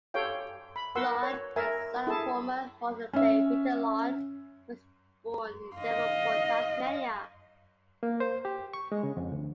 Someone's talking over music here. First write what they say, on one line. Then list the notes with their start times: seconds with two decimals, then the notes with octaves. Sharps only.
Lyon, the son of former Hawthorn player Peter Lyon, was born in Devonport, Tasmania.
0.14 G4 A4 C#5 F5 G5
0.76 B5
0.95 A#4 B4 F#5 C6 E6
1.23 C#5
1.56 A#4 E5 G#5
2.07 E4 G#4 A4 A5
3.13 C#4 E5
5.76 D#5 F5
8.03 A#3
8.20 C5
8.45 G4
8.74 C#6
8.92 G#3
9.03 C#3
9.17 F2
9.32 D2